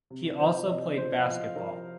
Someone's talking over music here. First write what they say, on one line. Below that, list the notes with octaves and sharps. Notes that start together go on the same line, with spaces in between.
He also played basketball.
C3
F3 C5
C3 D#5
F3 C5
F5
F3 D#5
F3 A#4